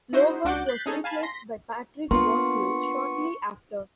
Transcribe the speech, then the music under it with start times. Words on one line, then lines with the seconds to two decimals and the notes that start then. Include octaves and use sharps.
Loberg was replaced by Patrick Bourque shortly after.
0.13 D#4 E4 F#4 C5
0.44 C#2 D4 F#4 F#5 D6 G6
0.66 F#6 G6 A6 B6 C7
0.86 C#4 D#4 G#4 A4
1.04 F5 G#5 A5 B5
1.23 C6 A#6 B6
2.11 A#3 B3 D4 F4 C6 C#6